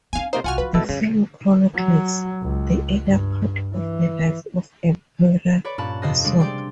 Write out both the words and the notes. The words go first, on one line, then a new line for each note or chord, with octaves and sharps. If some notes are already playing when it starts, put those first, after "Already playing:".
The film chronicles the early part of the life of Emperor Asoka.
C4 D4 F5 G#5
C3 A#3 D#4 C5
C2 F4 F#4 F#5 G#5 F6
F3 B4
B2 G#3 E4 A4
F#2 C#3
F#3
C#2
G2
E3
B4 C#5 D5 B5
G2 A#2 C#4 A5 B5 F#6
F2 C3 C5 D#5
C3 G3 G#3 C4 D4
G4 D5 G5 C6